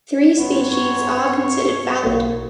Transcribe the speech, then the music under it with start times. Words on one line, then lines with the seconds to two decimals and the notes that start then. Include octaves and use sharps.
Three species are considered valid.
0.39 G2 B3 C4 C#5
2.04 B1 A#3